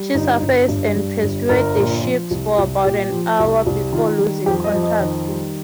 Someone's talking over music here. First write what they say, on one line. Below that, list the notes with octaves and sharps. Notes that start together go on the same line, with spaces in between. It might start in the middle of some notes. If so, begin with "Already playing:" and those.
She surfaced and pursued the ships for about an hour before losing contact.
Already playing: G3
G1 D#4
G1
G2
G3
G1
G1 A#4
A#2
F3
C2
C2
A#2 G4
F3
C2
C2
D#3 F4
G3
F2 G4
D#5
F2
D#5
D#3
G3